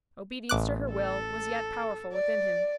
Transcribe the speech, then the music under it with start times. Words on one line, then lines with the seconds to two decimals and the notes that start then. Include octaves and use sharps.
Obedience to her will was yet powerful within him.
0.49 A1 D6 F#6
0.93 A4
2.13 D5